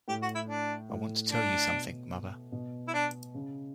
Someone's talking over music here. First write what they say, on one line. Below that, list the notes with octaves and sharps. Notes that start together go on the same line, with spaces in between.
I want to tell you something, mother.
A2 G4
F#4
E4
D4
A2
D4
B2
B2
E4
D4
C#3